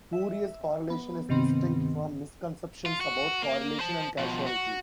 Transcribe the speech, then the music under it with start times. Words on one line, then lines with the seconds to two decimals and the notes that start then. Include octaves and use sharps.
Spurious correlation is distinct from misconceptions about correlation and causality.
0.13 E5
0.90 B3
1.29 G2 C3 D#3 B3 C4
2.86 F4
3.01 F#4
3.42 A#3
3.80 C5 A5
4.18 B2 F3
4.47 F#4